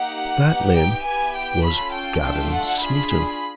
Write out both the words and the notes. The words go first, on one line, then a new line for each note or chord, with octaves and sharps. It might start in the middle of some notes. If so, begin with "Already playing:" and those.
That name was Gavin Smeaton.
Already playing: A#3 D#4 G4 F#5
B3 D#4 G4
G5
B3 E4 G4 G#5
G5
C#4 F4 A4 B5
G5
A3 D4 F4 A4
F#5
D4 F4 G#4 B5